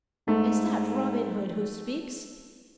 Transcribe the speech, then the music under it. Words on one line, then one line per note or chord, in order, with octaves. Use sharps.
"Is that Robin Hood who speaks?"
G#2 A3